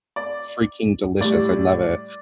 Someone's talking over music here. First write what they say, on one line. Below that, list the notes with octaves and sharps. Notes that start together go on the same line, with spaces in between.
freaking delicious, I love it,
D5
A2 G3 D5